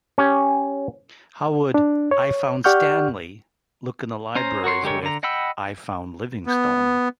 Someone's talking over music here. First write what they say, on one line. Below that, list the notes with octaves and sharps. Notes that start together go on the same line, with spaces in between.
How would "I Found Stanley" look in the libraries with "I Found Livingstone"?
C#4 G4
D4
C#5
G4 D5 F#5 C#6 F6 G6
C#4 C5 A#5
F#4 A#4 C#5 C6
D3 G#3 G4 A#4 C#5
D3 A#5
D#5 F#5 G5 B5 E6
B3